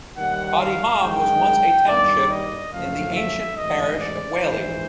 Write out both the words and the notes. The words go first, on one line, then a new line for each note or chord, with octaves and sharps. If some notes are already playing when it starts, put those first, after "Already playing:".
Padiham was once a township in the ancient parish of Whalley.
D#2 D#3 G3 F#5
F5
F#2 D#3 G#3 G5
G2 D#3 G3 A#3 D5
D#5
F#1 F#2 D3 F3 A3 F5
E5
A1 G#2 E3 G#3 D#5
D5
A#1 G#2 E3 C5